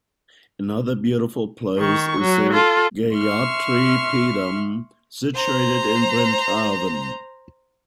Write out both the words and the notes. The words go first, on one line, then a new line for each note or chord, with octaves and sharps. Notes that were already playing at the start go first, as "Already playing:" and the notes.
Another beautiful place is the Gayathri Peedam, situated in Brindhaven.
D#3 C#6
F#3
F4 A4
E5 C6 C#6 F6
C5 A#5